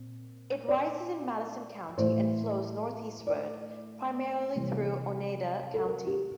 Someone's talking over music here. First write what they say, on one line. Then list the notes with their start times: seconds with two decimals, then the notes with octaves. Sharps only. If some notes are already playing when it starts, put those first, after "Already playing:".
It rises in Madison County and flows northeastward, primarily through Oneida County.
Already playing: A#2 C4
0.68 D5
1.97 A2 E3 A3 C5
3.27 D5
4.56 C3 E3 G3 A#3
5.74 A4
5.85 A#4
6.07 G4